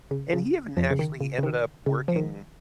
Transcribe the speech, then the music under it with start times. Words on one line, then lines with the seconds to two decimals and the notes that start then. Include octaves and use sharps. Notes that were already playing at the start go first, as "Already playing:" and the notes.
and he even actually ended up working
0.11 C#3
0.33 C#3
0.77 F2 F3
0.91 C#3
0.99 D#3
1.21 C#3
1.38 C#3
1.43 D#3
1.86 C#3
2.08 F3
2.16 D#3